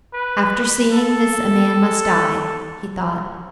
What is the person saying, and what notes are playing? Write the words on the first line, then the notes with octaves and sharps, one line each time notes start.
After seeing this a man must die, he thought.
B4
A4